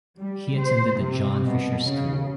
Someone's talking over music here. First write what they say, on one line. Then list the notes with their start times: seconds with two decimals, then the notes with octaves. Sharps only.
He attended The John Fisher School.
0.17 G3
0.61 C5
0.98 C3
1.44 B2
1.84 C#3